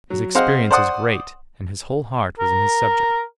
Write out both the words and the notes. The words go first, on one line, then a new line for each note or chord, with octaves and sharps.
His experience is great, and his whole heart was in his subject.
F#3
C4 G#4 C5 D#5 F5 F#5
C5 D5 F#5 C6 D#6
A#4